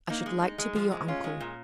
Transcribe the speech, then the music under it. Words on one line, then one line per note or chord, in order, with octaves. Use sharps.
I should like to be your uncle.'
A#3 D#4
G#3
D#4
G#3
F3
G#3
C#4 F4
G#3
A#2